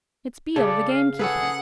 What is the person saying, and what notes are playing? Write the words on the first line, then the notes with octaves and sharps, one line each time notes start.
It's Beale the gamekeeper.
C#3 A4 D5
F5
C#4 G#4 A4 B4 F#5